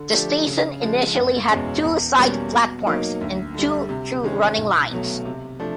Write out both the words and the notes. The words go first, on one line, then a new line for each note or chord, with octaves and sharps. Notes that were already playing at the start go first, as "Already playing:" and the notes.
The station initially had two side platforms and two through running lines.
Already playing: D3
F3 A3 D4 G4
C#3
F3 G#3
F#1
E2 B2 G#3 C#4
E2
B2 G3 A#3 C#4
B2
F#3 A#3 D#4
D2
D3 G3
C3
D#3 G#3 C#4
B1
B2 F#3 A3
C3
F3 A3 D4